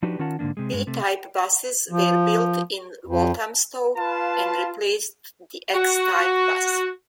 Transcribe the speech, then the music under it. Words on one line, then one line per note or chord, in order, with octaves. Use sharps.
B-type buses were built in Walthamstow and replaced the X-type bus.
F3 D4 D#4 F#4 G4 B4
D#3 C#4 F4 A#4 F#5 A5
G#2 D3 G3 A#3 D4
C3 G#3
G2 G#3
C3 A3
F3
F2
F4 B4 F5 A5
F#4